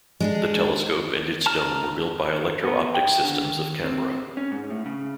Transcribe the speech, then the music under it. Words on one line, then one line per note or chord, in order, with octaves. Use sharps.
The telescope and its dome were built by Electro Optics Systems of Canberra.
G#3 D4 G#4
A5 A#5 F6
B3
G5
D3
D#3
C4
C#4
G#2
A2
C#3